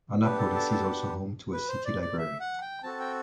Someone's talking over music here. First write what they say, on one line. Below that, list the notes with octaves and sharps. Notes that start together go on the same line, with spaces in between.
Annapolis is also home to a city library.
B3 D4 G4 B4
A4
A4
A4
B4
C5
D5
D5
E5
F#5
G5
C4 F#4 A4 A5
G5